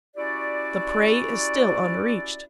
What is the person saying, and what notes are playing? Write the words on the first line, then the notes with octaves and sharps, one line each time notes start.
The prey is still unreached.
C#4 E4 F#4 G4 D5